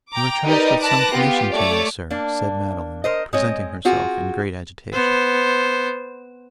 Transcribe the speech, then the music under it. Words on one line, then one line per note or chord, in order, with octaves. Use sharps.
'You are charged with some commission to me, sir,' said Madeline, presenting herself in great agitation.
G5 A#5 D6
D#4 G4 A#4 B4 D5 D#5
B4 A5 D6 F#6 A#6
B3 F4 G4
A3 C#5 D5 D6
A#3 D4
A#4 C5 D#5
G#3 C4 C#5 D#5
C4 F4 F#4 G#4
B3 C5